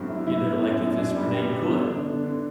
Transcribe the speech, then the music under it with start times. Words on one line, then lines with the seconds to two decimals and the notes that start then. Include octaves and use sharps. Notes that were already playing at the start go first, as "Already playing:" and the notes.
you know, like, if this Renee Good,
Already playing: G2 F#3 A3 C4
0.09 E4
0.27 E4
0.45 B3
0.62 F#2
0.80 F#2
0.98 D4
1.16 G3
1.34 G3
1.52 B3
1.70 D3
1.88 D4
2.06 D3
2.24 D3